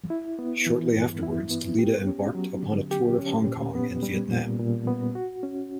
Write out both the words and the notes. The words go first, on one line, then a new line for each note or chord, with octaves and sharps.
Shortly afterwards Dalida embarked upon a tour of Hong Kong and Vietnam.
E4
B3
E3
G2
E4
B3
G4
C#4
F#3
D3
G4
C#4
A#2
B3
G3
A#2
A#2
B3
F#4
C#4